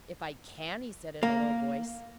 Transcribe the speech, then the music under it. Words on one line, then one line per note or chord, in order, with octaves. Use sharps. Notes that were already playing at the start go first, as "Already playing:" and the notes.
"If I CAN!" he said, in a low voice.
A#3